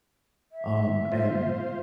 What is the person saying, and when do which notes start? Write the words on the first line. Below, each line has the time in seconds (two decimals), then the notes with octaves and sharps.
Um, and,
0.52 E5
1.12 F4 C5